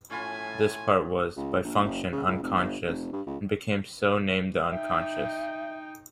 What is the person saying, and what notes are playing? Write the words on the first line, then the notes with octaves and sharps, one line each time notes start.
This part was, by function, unconscious, and became so named the Unconscious.
A2 C#4 F4 G#5 B5
C#2
A#1
F#1
C#3
C#2
F1
G1
F1
G2
C#2
D#4 E5 G5